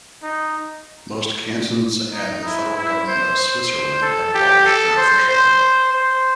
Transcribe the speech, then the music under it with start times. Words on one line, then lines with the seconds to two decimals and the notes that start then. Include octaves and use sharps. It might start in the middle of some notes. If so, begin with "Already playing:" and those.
Most cantons and the federal government of Switzerland have abolished their officialdom.
0.23 D#4
2.13 D#4
2.45 E4
2.76 E4
3.07 C5
3.39 C5
4.02 A4
4.34 G4
4.66 A4
4.97 C5
5.29 C5
5.92 C5